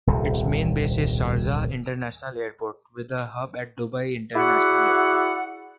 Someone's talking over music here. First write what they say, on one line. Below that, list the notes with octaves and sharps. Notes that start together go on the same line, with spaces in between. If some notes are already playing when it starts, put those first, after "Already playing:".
Its main base is Sharjah International Airport, with a hub at Dubai International Airport.
D#1 C2 C3
E4 F#4 G#4 D5 E5 F#5